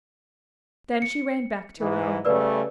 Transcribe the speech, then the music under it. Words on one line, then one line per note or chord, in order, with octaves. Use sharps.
Then she ran back to her uncle.
C#7
G#2 E3
C#3 G3 A3 B4 D5 E6